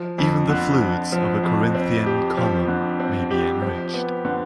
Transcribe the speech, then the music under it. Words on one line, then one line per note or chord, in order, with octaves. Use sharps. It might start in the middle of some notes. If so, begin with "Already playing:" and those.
Even the flutes of a Corinthian column may be enriched.
Already playing: F3
F2
D3
F2
F3
F2
C4
G4
F3
D3
C4
G4
F3
B3
D3